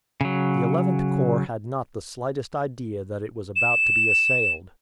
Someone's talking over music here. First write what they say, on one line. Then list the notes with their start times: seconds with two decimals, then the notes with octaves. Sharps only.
The Eleventh Corps had not the slightest idea that it was about to be assailed.
0.21 C#3 F#3
3.56 E7